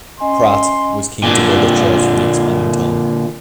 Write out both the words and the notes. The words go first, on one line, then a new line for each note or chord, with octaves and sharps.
Pratt, was keen to build a church for the expanding town.
C#4 D#5 G#5 C6
A#2 D3